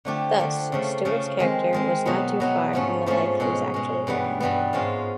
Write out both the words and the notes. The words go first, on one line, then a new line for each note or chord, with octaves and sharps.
Thus, Stewart's character was not too far from the life he was actually living.
D3 F3 A3 D4 G4
D3 F3 A3 D4 G4
C#3 F3 A3
C#3 F3 A3
D#3 G#3 C4
D#3 G#3 C4
B2 F#3 B3 D#4
B2 F#3 B3 D#4
G#2 F3 A3 C#4
G#2 F3 A3 C#4
B2 G#3 C#4
B2 G#3 C#4
G2 E3 G3 B3
G2 E3 G3 B3
G#2 F3 G#3 C#4 F4